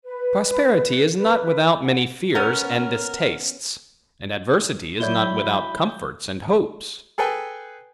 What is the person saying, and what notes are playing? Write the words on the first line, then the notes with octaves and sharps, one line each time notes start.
Prosperity is not without many fears and distastes; and adversity is not without comforts and hopes.
B4
B4
F#5
B3 C#4 A#4
F#3 E4 C#5 D5 B5 G6 G7
G#4 A4 B4 G5 G#5